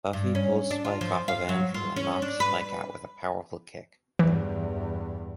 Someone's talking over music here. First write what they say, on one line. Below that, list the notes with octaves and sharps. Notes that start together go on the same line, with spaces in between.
Buffy pulls Spike off of Andrew and knocks Spike out with a powerful kick.
G2
C#4
D4
F4
F3
F5
F#3
F4
C#4
D4
B4
E2 G2 E3